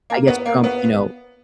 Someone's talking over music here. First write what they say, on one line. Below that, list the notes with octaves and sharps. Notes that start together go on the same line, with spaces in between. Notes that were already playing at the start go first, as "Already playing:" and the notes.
I guess Trump, you know,
A#3
B3
A#3
B3